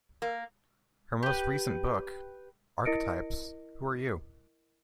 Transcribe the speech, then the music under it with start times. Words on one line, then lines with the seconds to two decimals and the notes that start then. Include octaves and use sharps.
Her most recent book, Archetypes: Who Are You?
0.22 A#3
1.23 G4 B4
2.85 E4 A#4 D#5 A#6 C#7 D7